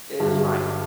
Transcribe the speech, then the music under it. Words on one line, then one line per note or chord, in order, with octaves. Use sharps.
Is vital.
G1 G2 F#3